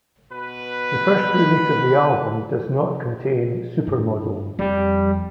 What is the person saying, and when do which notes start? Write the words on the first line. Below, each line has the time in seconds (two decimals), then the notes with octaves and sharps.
The first release of the album does not contain "Supermodel".
0.33 B2 B4
3.87 G2
4.59 F2 G3